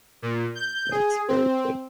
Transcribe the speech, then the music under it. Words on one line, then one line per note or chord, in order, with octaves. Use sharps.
That's very good.
A#2
G6
G#4
C4